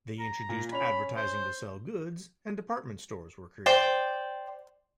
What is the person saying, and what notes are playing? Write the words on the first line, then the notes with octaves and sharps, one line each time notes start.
They introduced advertising to sell goods and department stores were created.
A#5
A#2
C#4 C#5 B5 F7
C5
C5 D5 G5